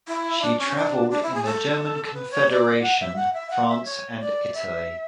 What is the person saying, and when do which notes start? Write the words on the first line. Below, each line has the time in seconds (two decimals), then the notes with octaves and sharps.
She traveled in the German Confederation, France and Italy.
0.08 E4
0.42 D4
0.59 C#4
0.69 C#4
0.76 D4
1.11 D4
1.23 E4
1.34 G#4
1.45 A4
2.05 A4
2.14 B4
2.31 C#5
2.48 D5
2.82 F#5
3.00 E5
3.16 F#5
3.33 E5
3.50 F#5
3.68 E5
3.85 C#5
4.20 D5
4.54 E5